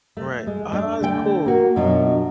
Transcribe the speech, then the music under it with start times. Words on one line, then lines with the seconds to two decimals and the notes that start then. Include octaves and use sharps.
Right, ah, that's cool.
0.17 A3
0.47 G#3
0.72 A3 D4
1.01 D3 A3 G5
1.46 A#3 F#4
1.76 F#2 B2 F#3 D4 F4